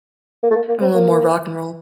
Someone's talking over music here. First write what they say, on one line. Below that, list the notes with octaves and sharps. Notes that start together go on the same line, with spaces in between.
I'm a little more rock and roll.
A#3
A3
A#3
A#3
C4
A#3